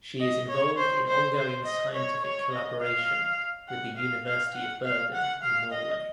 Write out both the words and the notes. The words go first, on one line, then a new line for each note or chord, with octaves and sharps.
She is involved in ongoing scientific collaboration with the University of Bergen in Norway.
D#5
C#5
C5
C5
C5
D#5
C#5
C#5
D#5
F5
F#5
F5
F5
F#5
F5
F#5
F5
D#5